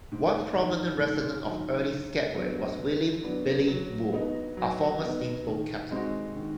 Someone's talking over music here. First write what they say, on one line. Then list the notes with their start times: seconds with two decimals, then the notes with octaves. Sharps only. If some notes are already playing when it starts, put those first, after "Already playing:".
One prominent resident of early Skagway was William "Billy" Moore, a former steamboat captain.
0.12 G#2
0.56 D#3 F#3
1.00 G#2
1.45 D#3 F#3
1.89 D3
2.35 F#3 B3 D4
2.79 D3
3.23 F#3 B3 D4
3.68 F#3
4.12 B3 D#4
4.57 F#3
5.01 B3 D#4
5.46 D#3
5.91 G#3 C4 D#4 F#4
6.35 D#3